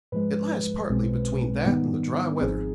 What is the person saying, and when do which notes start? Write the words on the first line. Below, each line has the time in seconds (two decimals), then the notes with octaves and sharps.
It lies partly between that and the dry weather.
0.12 G#2 F3 G#3 B4
0.89 B1 B2 G#3 C4
1.64 G#2 D#3 G3 B3 D#4
2.41 G#1 G#2 F3 C4 D#4 G#4